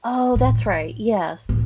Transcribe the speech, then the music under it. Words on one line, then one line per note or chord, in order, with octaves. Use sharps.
Oh, that's right. Yes.
A2
A2